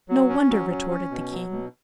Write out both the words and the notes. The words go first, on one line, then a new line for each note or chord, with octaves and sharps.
"No wonder!" retorted the king.
F#3
C#4
F#3
C#4
C#4
B2
F#3
B2